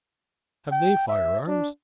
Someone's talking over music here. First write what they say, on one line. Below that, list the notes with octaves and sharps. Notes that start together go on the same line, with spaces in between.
"Have they fire-arms?"
G5
E5
D4